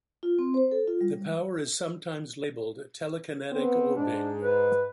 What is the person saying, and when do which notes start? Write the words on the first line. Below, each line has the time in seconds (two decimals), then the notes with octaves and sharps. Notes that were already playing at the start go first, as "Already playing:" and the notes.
This power is sometimes labeled Telekinetic Orbing.
0.23 F4
0.39 C4
0.54 C5
0.71 A4
0.87 F4
1.01 G3
3.51 B3 C4
3.96 G#2 D4
4.41 B4